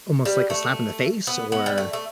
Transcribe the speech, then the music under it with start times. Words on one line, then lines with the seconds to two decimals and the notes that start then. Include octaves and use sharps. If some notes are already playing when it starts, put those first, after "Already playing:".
almost like a slap in the face or,
0.25 G3
0.50 A3
1.27 B3
1.52 B3
1.66 G3
1.78 A3
1.93 A3